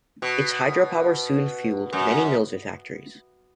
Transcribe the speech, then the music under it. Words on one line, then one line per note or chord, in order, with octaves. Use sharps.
Its hydropower soon fueled many mills and factories.
B2
F#2